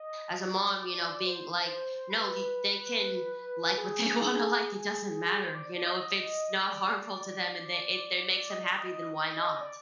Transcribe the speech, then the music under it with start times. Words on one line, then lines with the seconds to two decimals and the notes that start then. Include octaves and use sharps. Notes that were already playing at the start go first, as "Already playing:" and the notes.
as a mom, you know, being like, "No, y they can like what they wanna like, it doesn't matter, you know, if it's not harmful to them and they it it makes them happy, then why not?
Already playing: D#5
0.44 D5
1.27 C5
2.10 B4
3.78 G#4
4.60 G#4
5.44 C5
5.55 D5
5.65 D5
5.75 D5
5.86 D#5
6.69 D5
8.36 D5
8.50 D#5
8.63 D5
8.78 D#5
9.61 D5